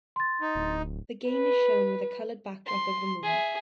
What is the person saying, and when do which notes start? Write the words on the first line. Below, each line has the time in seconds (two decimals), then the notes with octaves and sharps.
The game is shown with a colored backdrop of the moon.
0.16 C6 A6
0.41 D#4
0.55 D1
1.31 B4
2.66 C6
3.23 G#4 E5